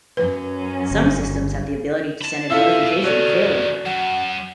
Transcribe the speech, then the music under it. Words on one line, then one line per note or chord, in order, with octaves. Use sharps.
Some systems have the ability to send a notification of failover.
F#2 C#4 B4
G1
A5 B5
C4 E4 F4 A4 E5 E6
B2
D#3 C#4 F#4 A4 C#5 D5
F#2 F#5